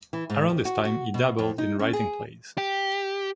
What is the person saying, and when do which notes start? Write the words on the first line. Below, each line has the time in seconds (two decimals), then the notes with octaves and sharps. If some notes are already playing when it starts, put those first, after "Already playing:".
Around this time he dabbled in writing plays.
0.13 E3
0.30 G#2
0.50 F2
0.65 F#4
0.85 F#4
1.14 B2
1.39 F2
1.58 D#4
1.79 C#4
1.93 G#4
2.58 G4